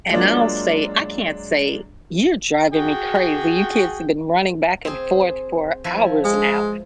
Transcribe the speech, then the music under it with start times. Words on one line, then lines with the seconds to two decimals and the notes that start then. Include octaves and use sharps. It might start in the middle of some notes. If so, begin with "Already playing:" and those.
and I'll say, I can't say, "You're driving me crazy. You kids have been running back and forth for hours now,"
0.11 F#3 G#3 A#3 D4 F4
2.72 F#4 G#4 G5
4.85 C4 G#4
5.84 F3 E4 B4
6.25 G#3